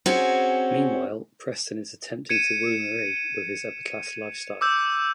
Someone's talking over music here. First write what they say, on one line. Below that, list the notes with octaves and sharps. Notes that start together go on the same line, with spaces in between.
Meanwhile, Preston is attempting to woo Marie with his upper-class lifestyle.
C4 C#4 F#4 G#4
G#6 C#7 D#7 E7
D6 E6 G6